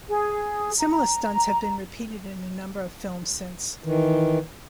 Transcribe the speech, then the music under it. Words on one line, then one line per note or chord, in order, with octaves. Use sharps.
Similar stunts have been repeated in a number of films since.
G#4
A#5
D#3 E3